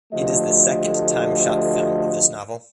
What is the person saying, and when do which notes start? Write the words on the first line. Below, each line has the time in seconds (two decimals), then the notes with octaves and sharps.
It is the second time shot film of this novel.
0.13 D2 F3 A3 G4 D#5